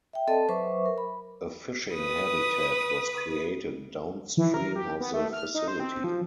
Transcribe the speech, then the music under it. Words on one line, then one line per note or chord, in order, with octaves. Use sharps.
A fishing habitat was created downstream of the facility.
E5 G5
C4 A4 D5 D#5 A5
F#3 B4 C5 E5 C#6 D6
A#4
B5
B4 D#6
E3
A#4
G4
B3
A3
F6
D#4
C5
C4
F3